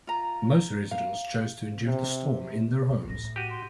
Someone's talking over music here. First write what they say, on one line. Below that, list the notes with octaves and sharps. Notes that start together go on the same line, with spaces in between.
Most residents chose to endure the storm in their homes.
F4 A#5
F5
C3
A2
A2 A#6
F#4 G4 D#7
C6